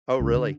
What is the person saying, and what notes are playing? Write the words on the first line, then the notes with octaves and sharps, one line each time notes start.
Oh, really?
C#2 C#3
D3